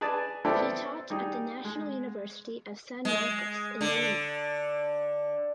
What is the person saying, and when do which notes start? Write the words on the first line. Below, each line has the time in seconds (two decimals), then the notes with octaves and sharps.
He taught at the National University of San Marcos in Lima.
0.01 G#4 B4 D5 A5
0.45 B3 C4 D4 E4 A4
1.10 G3 D#4 G#4
1.64 G#3
3.05 G#3
3.81 D3